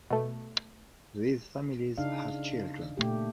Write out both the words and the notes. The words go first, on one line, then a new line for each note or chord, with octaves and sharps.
These families have children.
B2 A3
C#3 D4 D#4 F5
A#2 A3 G4